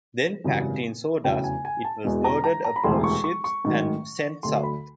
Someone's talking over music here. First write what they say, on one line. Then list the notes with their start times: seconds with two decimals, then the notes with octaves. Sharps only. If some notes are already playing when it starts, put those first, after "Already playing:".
Then, packed in sawdust, it was loaded aboard ships and sent south.
0.44 G#1 F#2 C#3 E3 G3
1.24 F1 E2 C#3 F#3 G5
1.44 G#5
1.65 G#5
1.85 A5
2.04 E1 E2 B2 G#3
2.24 A#5
2.44 A#5
2.65 A#5
2.76 B5
2.84 E1 D2 C3 E3 C6
3.04 C#6
3.24 C#6
3.44 C#6
3.64 A1 G#2 D#3 F#3
4.43 D2 D3 F#3 C6
4.63 B5